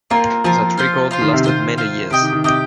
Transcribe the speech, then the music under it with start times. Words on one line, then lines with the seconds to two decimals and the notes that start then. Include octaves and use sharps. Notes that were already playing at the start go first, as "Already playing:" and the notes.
That record lasted many years.
0.10 A#3 C4 F4 A#4
0.44 F3 C4 F4 A#4
0.77 F4 C5 F5
1.11 F4 C5 F5
1.22 D#3
1.33 C3
1.44 D#3 F4 C5 F5
1.78 F4 C5 F5
2.10 C3 G4 D#5 G5
2.22 D#3
2.33 D#3
2.44 C3 G4 D#5 G5